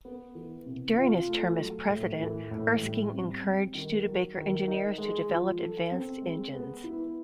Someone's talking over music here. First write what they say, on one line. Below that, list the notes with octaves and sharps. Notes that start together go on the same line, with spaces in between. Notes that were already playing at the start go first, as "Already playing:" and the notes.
During his term as president, Erskine encouraged Studebaker engineers to develop advanced engines.
B3
E3
C3
F4
A3
F#3
A2
E3
A2
G3
C4
G3
D#3
F#3
D#3
D#4
G#3
F3
A4
C4
G#3
B3
E4